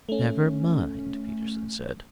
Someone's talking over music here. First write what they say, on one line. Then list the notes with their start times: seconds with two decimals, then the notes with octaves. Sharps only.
"Never mind," Peterson said.
0.09 A3 C#4